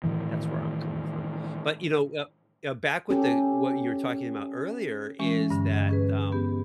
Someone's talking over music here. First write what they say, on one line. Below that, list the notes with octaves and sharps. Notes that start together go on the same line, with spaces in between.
that's where I'm coming from. But, you know, uh uh, back with the what you were talking about earlier is that, um,
A2 D#3 E3
C#4 G4 A4
E3 G#3 C#4
G2 D3
D#5
C#4 G#4 B4
B3 G4